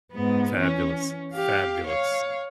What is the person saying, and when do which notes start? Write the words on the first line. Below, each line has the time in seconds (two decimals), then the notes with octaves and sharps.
Fabulous, fabulous.
0.12 G#2 B3
0.57 E3 C#4
1.34 G4 F5
1.87 C#5 F5